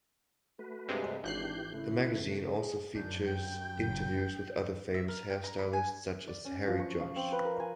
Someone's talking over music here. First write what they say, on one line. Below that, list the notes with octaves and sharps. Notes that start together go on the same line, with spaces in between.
The magazine also features interviews with other famous hairstylists such as Harry Josh.
A3 F#4 B4
G2 C3 G#3
G#1 E3 D4 G4 F#6 G6 C7
C#3 A3 E4
G#4
F#2 D3 D4 G6
G5
F#1
A3
E5
A#4
G5
A#5
B5
G#5
D5
C#4
F3
C#6
F5
C4
B4
A#4
G#5